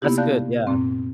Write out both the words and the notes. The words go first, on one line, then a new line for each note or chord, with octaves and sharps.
That's good, yeah.
C3 A#3 B3 D#4 E4 G4
D5 F5 A5 F#6 G6
F#2 A#2 C4